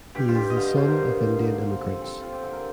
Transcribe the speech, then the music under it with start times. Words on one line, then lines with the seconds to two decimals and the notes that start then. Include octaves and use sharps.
He is the son of Indian immigrants.
0.15 G2 G4
0.28 F4
0.35 G2 G4
0.50 D#5
0.56 D3 F5
0.66 D#5
0.77 G2 C5
0.87 A#4
0.97 G2
1.18 A#3
1.38 D3
1.60 F3
1.80 C4 A4
2.02 C4 A4
2.21 C4 F4
2.32 G4
2.42 D3 A4
2.52 A#4